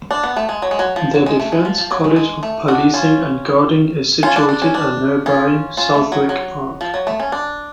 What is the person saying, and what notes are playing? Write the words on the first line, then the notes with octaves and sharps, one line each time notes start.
The Defence College of Policing and Guarding is situated at nearby Southwick Park.
D4
B3
A3
G#3
F#3
G#3
F#3
F3
F#3
G#3
A3
G#3
F3
F3
F#3
G#3
G#3
A3
D4 F#4
C#4 F4
C#4 F4
D4
D4
C#4
D4
C#4 F4
C#4 F4
A3
F#3
F#3
F3
F#3
A3
C#4
D4